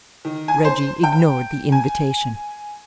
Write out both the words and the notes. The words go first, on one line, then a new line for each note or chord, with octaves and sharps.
Reggie ignored the invitation.
D#3
G#5
C5
G5
G#5